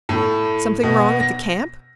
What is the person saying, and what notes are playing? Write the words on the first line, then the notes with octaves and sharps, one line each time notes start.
"Something wrong at the camp?"
A2
B2
A#6